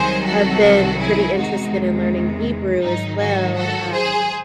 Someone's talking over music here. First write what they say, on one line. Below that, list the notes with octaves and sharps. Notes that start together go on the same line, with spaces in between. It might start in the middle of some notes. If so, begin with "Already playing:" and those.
I've been pretty interested in learning Hebrew as well, um
Already playing: C2 C3 D#3 F#3 G#4 C5
F#4 A4
E4 G#4
E2 C3 D#3 G#3 D#4 F#4
G#2 D#3 F#3 D#4
D#4 F#4
F#4 A4
G#4 C5